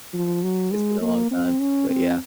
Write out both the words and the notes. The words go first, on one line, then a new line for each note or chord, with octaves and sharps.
it's been a long time, but yeah.
F3
F#3
G#3
A#3
C4
C#4
C4